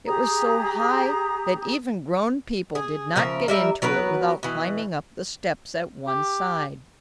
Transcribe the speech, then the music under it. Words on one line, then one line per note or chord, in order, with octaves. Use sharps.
It was so high that even grown people did not get into it without climbing up the steps at one side.
G4 G#4 A#5 D#6
G#4
C#3 F3 A#4 E5
G3 A#4 E5
F#3 B3 A#4 B4
B2 E3
G4